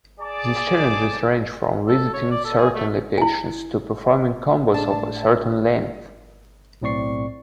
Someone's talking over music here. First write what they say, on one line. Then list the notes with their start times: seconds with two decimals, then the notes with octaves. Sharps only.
These challenges range from visiting certain locations to performing combos of a certain length.
0.20 G#4 D5 A5 D6
1.88 A4
2.14 C#5
2.31 D5
2.45 A4
2.58 G#4
2.75 A3
3.18 E4 G#5
4.74 A2 D4 A5
6.82 B1 A2 C4 D5 C#6 C7